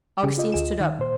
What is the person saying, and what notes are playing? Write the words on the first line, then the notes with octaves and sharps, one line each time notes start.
Augustine stood up.
C#3 G4 G#4
F4 D#5
D2 G#4 E7
D#3
A#2 C5